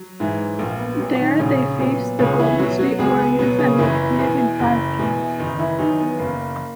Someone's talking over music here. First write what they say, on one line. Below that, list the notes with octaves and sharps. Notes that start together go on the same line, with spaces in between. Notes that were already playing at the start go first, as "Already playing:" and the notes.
There they faced the Golden State Warriors and were defeated in five games.
Already playing: F#3
G#2 E3
A#1 A#3
B3
A#2 F#3
D#3 D#4
A#1 C#3 C#4
A#2 F#3 B3
C#2 C#3 C#4
E3 E4
B2 F#3 F#4
F#3 F#4
C#2 G#3 G#4
B3
B2 F#3 B3
C#3 C#4
F#1 E3 E4
E2 B2
F#1
E2 B2
F#1 D#3 D#4
E3 E4
E2 D#3 F#3 D#4
B3
F#1 A#3